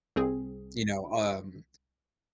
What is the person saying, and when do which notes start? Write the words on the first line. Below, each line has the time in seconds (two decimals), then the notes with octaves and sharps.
you know, um,
0.16 C2 C4 G#4